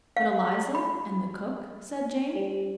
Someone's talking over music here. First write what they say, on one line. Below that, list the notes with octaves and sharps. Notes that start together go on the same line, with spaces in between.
'But Eliza, and the cook?' said Jane.
F5
B5
G3